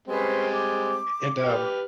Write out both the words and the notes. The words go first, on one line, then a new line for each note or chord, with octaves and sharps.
and, um,
G3 G#3 C4 C#4 B4 C5
D6
G4 B4 F6